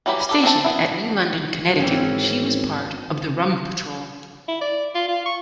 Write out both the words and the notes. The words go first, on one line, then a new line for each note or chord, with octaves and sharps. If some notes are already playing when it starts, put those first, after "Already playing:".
Stationed at New London, Connecticut, she was part of the Rum Patrol.
E3 F#3 G3 G4 B5
G4 A4 B4
C4 C5 E5 A5
B3 E4
G#1 E3 C4 C#4
E4
D5
F4
F4
C#6